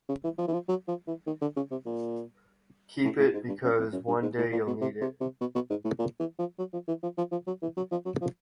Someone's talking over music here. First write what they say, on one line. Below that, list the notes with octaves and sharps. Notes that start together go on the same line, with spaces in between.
Keep it because one day you'll need it.
C#3
E3
F3
E3
F3
F#3
F3
E3
D#3
D3
C#3
C3
A#2
A2
A2
G#2
G2
F#2
F2
F#2
G2
G#2
A2
A#2
B2
C3
C3
C3
B2
B2
G#2
A2
A#2
E3
F3
F#3
F3
E3
F3
F3
F3
F#3
E3
F#3
F3
F#3
F3